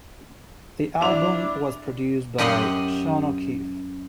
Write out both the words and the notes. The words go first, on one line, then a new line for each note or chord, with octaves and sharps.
The album was produced by Sean O'Keefe.
D4 E4 D6 F7
F#2 G4 D#5 F#5 C6